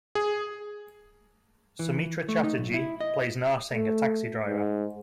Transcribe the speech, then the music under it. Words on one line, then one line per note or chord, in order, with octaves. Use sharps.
Soumitra Chatterjee plays Narsingh, a taxi driver.
G#4
E3
A3
D#4
B1
E4
D#5
A3
G#2